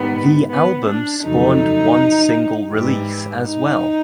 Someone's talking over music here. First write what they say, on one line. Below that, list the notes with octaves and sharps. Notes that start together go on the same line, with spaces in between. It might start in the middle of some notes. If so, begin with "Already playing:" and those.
The album spawned one single release as well.
Already playing: G#2 D#3 G3 B3
B3
D4
F2 C#3 F#3 A3 D#4
G#2 E3 G3
D#4